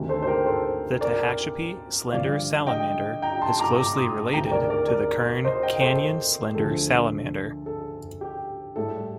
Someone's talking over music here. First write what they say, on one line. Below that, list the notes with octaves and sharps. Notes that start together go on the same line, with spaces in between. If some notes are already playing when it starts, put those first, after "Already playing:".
The Tehachapi slender salamander is closely related to the Kern Canyon slender salamander.
Already playing: D2 C3 D#3
A4 C5
C5
G4 A#4
A4 C5
A#4 D5
G2 D3 F3 D5 F5
D#5 G5
G5 A#5
A5 C6
A#5 D6
A#5 D6
C6 D#6
D2 C3 D#3 G5 A#5
A#4 D5
A#4 D5
A#4 D5
C5 D#5
D#5 G5
A4 C5
D2 D3 F3 A4
A4
G4
A2 G3 A4